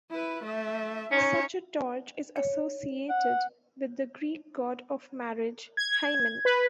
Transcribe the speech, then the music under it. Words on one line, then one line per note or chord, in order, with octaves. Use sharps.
Such a torch is associated with the Greek god of marriage Hymen.
E4 B4
A3 E5
C#4 D#4 C#5
C#5
F#5
G#6
B4